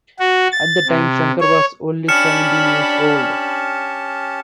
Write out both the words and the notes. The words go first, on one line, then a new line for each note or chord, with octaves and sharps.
At that time Shankar was only seventeen years old.
F#4
A6
C3
C#5
C#4 D4 G4 A5 B5 F6 C#7 E7